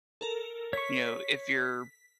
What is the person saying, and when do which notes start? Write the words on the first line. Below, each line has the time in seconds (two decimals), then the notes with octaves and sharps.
you know, if you're,
0.21 A4 A#4
0.73 C#5 C#6 B6